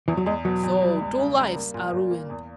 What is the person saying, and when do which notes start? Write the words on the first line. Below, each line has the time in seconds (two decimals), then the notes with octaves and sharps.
So two lives are ruined!
0.08 E2 E3
0.17 F#3
0.26 E2 G#3
0.45 B2 F#3
0.63 E2
0.82 G3
1.01 C#2
1.18 C#3
1.38 G3
1.56 A#3
1.74 A#2
1.93 A#2
2.11 A#3
2.30 E2